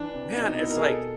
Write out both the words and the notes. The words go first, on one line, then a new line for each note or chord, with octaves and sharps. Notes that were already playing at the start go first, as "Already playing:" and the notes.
man, it's like
Already playing: E3 D4
C3
B2 D#4
D#4
B2 E4
A#4
G#4
B2 A4